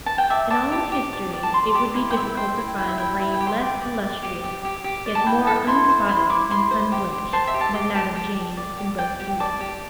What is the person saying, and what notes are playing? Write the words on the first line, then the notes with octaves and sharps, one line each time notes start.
In all history, it would be difficult to find a reign less illustrious, yet more unspotted and unblemished, than that of James in both kingdoms.
A5
G5
D5 E5
D5 A5
G4
G4
D5
D5
A5
D5 C6
G4 D6
E4 C6
G5
E4 E5
C5 G5
E4
E4 G5
E5
E4 G5
E4 E5
G5
G4
C6
D5 G5
D5
D5
G4
G4
G4
G4
D5
A5
E4 G5
A4 A5
E4 C6
C5
E4 C6
E4 D6
E4 C6
C5
G4
G4
C5 A5
E5
G4
A5
G4 D6
G4 A5
G4 A5
G4
D5
G4
D5 G5
G4
D5 A5
G4